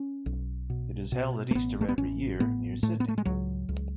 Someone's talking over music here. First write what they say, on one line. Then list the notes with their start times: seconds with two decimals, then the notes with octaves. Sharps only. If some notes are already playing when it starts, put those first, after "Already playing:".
It is held at Easter every year, near Sydney.
Already playing: C#4
0.26 B1
0.70 B2
1.12 B2
1.51 A3
1.55 A1 B3
1.81 A3
1.89 B3
1.98 A1 C#4
2.40 A2 B3
2.83 A2 A3
3.00 B3
3.08 A3
3.18 G#3
3.25 C#2 F#3
3.69 C#2